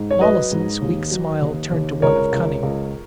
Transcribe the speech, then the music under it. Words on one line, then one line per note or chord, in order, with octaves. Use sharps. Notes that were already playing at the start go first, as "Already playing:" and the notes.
Mollison's weak smile turned to one of cunning.
Already playing: G#2
C#5
F#3 B4 D#5
G#2
D#2
F#3
D#2
D#2
C#2 A#4 C#5
C#2
C#2